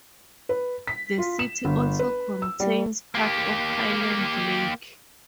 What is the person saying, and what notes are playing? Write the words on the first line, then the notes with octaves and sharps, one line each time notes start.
The city also contains part of Highland Lake.
B4
B6
F4
E7
G1
B4
E6
G3
A#3 G4